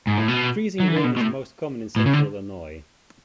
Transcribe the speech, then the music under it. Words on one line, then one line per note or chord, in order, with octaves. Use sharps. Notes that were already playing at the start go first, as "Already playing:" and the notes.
Freezing rain is most common in central Illinois.
G#2
A2
B2
F#3
E3
D3
B2
B2
A2
A2
C#3
D3